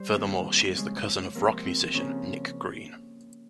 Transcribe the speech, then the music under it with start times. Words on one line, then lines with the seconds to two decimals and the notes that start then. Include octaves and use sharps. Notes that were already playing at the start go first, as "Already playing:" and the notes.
Furthermore, she is the cousin of rock musician Nicke Green.
Already playing: G3 C5
0.15 C3 D#3 A#3
0.76 C#3 F3 G#3
1.35 C3 F3 A#3 A#4
1.65 C4
1.94 C#3 F3 A#3 C#4